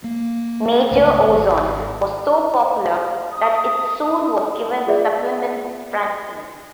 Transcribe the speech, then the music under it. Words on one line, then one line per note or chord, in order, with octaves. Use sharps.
"Major Ozone" was so popular that it soon was given the supplement's front page.
A#3
C#2 G#2 A3
G#1
D#6
F4 G#4 D5 E5